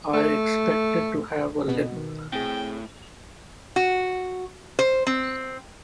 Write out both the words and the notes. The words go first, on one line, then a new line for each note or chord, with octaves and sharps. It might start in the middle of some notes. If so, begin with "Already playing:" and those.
I expected to have a limp.
A3
B2
D#3
A2 C4 G#4 G5
F#4
C5
C4